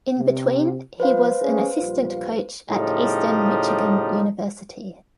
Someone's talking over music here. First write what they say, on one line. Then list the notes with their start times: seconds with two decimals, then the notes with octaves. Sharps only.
In between, he was an assistant coach at Eastern Michigan University.
0.19 C3
1.00 F3 B4 C5 F5
1.43 C#4 G#4
1.79 A#1 G3 F4
2.70 A2 C#3 F3 G3 D#4